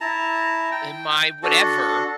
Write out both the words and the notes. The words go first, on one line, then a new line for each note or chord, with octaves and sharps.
uh, my" whatever.
E4 A5 A#5
G5
D4 F#4 A4